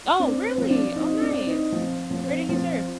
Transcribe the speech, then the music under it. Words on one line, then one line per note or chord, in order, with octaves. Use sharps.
Oh, really? Oh, nice. Where did he serve?
C4 D4
C4
F3
C4
D4
C4 D#4
D4
C4
D#4
F3 C4
F3
C4
F3 C4